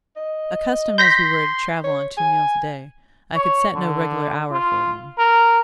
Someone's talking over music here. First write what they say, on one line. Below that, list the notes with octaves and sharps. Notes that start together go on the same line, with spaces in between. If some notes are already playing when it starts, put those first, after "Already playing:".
Accustomed as we were to travel on two meals a day, I could set no regular hour for them.
D#5
C6 G6 A#6 B6
C#5
G#5
C#5
D3
F4
A#4